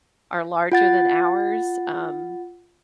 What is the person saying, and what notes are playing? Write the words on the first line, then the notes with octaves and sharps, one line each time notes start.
are larger than ours, um,
F4 F#5 A6